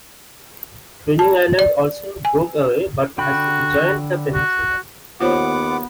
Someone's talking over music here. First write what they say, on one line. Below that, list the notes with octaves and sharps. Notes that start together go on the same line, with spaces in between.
Fenning Island also broke away but has rejoined the peninsula.
A5
D5
G#5
D3 F#4 G5 B5
F#4
D#2 B3 F4 C5 C#5 F#5 D6